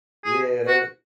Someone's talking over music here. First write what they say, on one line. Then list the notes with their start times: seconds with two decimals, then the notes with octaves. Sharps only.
Yeah, they,
0.24 G#4
0.67 F#4